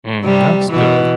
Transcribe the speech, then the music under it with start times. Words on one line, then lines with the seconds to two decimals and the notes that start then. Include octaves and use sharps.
Mm, that's good.
0.24 C3 G3
0.70 B2 E3